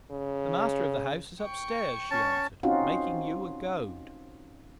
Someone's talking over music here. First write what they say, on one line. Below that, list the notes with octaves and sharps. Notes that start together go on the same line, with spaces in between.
"The master of the house is upstairs," she answered, "making you a goad."
C#3
G5 C#6
C#4 A5
C4 C#4 D#4 F4 F#4